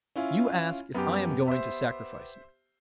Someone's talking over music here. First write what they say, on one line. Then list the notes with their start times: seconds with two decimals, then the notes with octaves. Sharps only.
You ask if I am going to sacrifice you.
0.16 C#4 E4 F4
0.94 F#2 B3 G4
1.48 C5 E5